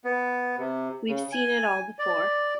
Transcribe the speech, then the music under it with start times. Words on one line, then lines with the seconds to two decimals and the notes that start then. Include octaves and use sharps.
We've seen it all before.
0.04 B3
0.58 C3
1.08 C#3
1.32 G#5
1.99 D5